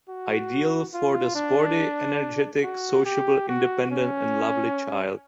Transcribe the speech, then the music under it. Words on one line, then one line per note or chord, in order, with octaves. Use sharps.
Ideal for the sporty, energetic, sociable, independent and lovely child.
F#4
F4
D4
F#4
G4
F#4
C#4